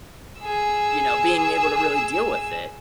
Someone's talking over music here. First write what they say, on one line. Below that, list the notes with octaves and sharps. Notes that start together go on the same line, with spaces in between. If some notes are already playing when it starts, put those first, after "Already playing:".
you know, being able to really deal with it?
G#4 E6